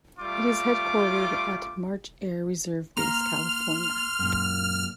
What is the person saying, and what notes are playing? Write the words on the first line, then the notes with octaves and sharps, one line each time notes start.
It is headquartered at March Air Reserve Base, California.
G3 A3 F4 D6
A#3 A#5 C6 F6
F#2 A#2